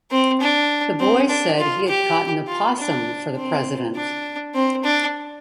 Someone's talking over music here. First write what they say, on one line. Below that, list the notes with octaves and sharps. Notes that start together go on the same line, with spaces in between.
The boy said he had caught an opossum for the President.
C4
D4
C4
D4
F4
G4
F4
D4
C4
D4
C4
D4